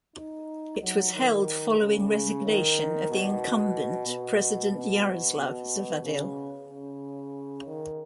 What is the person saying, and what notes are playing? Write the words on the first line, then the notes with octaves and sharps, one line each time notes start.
It was held following resignation of the incumbent President Jaroslav Zavadil.
D#4
F#3
D#3
C#3
D#3
B2
B2
B2
B2
C#3
C#3
D#3